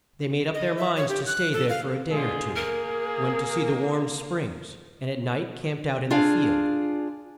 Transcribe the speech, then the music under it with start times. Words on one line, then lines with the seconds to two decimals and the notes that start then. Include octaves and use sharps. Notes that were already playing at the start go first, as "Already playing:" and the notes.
They made up their minds to stay there for a day or two; went to see the Warm Springs, and at night camped out in the field.
0.54 D#5
0.77 E5
0.96 C#5
1.09 G4
1.27 F#6
1.53 A4
1.69 F5
2.12 B2 D3 F4 G#4
2.56 A#3 A#4
6.11 D4 F4 G#4 F5